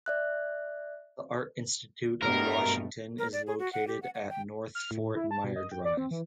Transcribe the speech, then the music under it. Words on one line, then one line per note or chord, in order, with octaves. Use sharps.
The Art Institute of Washington is located at North Fort Myer Drive.
D5 E5 F#6
G2 B2 A3 A#4
A#4
D5
G#4
F#4
F#5
G4
F#5
F#5
G5
F6
A2
E4
A5
B2
D#5
G5
D5
C4
E3